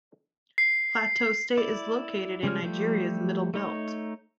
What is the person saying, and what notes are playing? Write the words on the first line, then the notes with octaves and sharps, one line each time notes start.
Plateau State is located in Nigeria's middle belt.
C7
E4 D5
C#3 G3 G#3 C#5 F6
F3 G3 A3 G4
A3 D#4 C#5